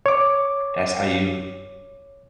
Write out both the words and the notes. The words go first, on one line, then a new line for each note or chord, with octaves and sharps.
that's how you
C#5 D6